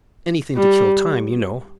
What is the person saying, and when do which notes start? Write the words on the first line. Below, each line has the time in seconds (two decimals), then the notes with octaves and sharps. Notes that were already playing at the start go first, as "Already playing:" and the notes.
"Anything to kill time, you know."
0.57 G3